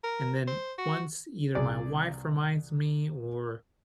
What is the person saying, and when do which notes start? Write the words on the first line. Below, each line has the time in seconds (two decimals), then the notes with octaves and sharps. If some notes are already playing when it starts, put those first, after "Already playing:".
and then once either my wife reminds me or
0.04 A#4
0.47 C5
0.78 F#4
1.55 C2 G#4 D5